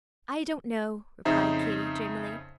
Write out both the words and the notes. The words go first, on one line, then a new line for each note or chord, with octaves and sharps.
"I don't know," replied Katy, dreamily.
F2 C#3 D#4 C5 E5 A#5